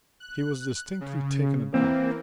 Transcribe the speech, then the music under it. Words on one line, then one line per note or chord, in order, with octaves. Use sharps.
He was distinctly taken aback.
F#6
C#3
E3 A#3 C4